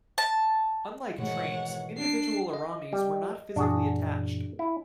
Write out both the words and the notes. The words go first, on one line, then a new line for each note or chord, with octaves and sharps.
Unlike trains, individual Aramis were not physically attached.
A5
G#2 B2 D#3 E3 C#5 F#5
D4 C7
D#5
G3
F#2 A#2 E3 D4 F#4 G#4
E4